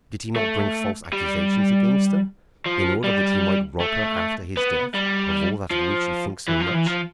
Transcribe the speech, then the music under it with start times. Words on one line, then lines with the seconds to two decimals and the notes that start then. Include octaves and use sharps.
Did he not bring false accusations against her, in order that he might rob her after his death of all that of which you think so much?
0.36 A3
1.13 G3
2.66 F3
3.04 G3
3.80 A3
4.57 B3
4.94 G3
5.71 F3
6.48 E3
6.60 F3
6.73 E3
6.86 F3